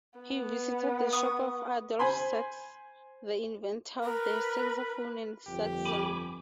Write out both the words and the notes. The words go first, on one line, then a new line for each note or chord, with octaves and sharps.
He visited the shop of Adolphe Sax, the inventor of the saxophone and saxhorn.
B3
C#6 D#6
C5 G#5 B5 C6
A#4 B4
G1 F2 G4
G#5 B5 D6